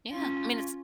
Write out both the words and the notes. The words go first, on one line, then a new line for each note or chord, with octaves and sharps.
Yeah, I mean, it's
C#4 F4